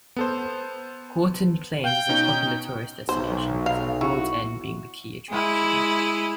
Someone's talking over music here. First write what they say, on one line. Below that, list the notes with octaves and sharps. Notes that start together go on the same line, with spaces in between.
Horton Plains is a popular tourist destination, with World's End being the key attraction.
B3 A4 C5
F5 G5
B2 C#4 D#4
B1 C5
F5
E4 F#4
G#3 E4